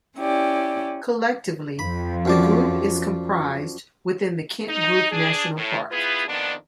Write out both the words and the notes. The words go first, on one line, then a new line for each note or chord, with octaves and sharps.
Collectively, the group is comprised within the Kent Group National Park.
C#4 E4 G4 D5
F2 B5
F#2 F3 D5
D#4
D4 G#4
A2
B3 E4 F4 G#4 B4
F2 D#3 B3 D4